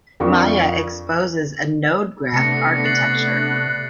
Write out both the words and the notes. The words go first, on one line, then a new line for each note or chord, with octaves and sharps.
Maya exposes a node graph architecture.
F2 D4 F4 A#4 C#6
C3 A3 B3 D4 A#6 C#7
F#6 A6 C7 F#7